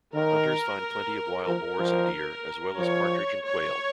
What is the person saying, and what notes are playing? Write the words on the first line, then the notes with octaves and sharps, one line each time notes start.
Hunters find plenty of wild boars and deer, as well as partridge and quail.
D#3 A#4
F3 A#4
F3
F3 C#5
C#5